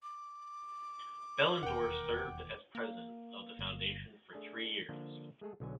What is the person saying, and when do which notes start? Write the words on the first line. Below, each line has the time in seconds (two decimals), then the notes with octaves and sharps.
Behlendorf served as president of the foundation for three years.
0.03 D6
1.63 E1 D#2 A#4 F#5 G5
2.75 A#3
3.59 G1
4.33 A3 D4 G#4 A4
4.89 D3 F3 A#3 D4
5.41 G#3 A3 G#4 A4
5.60 B1 D3 F#3 G#5